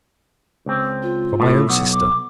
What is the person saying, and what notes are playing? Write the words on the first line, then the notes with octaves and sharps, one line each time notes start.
From my own sister?
C#2 C4
F4
A2
B1 F#5
D6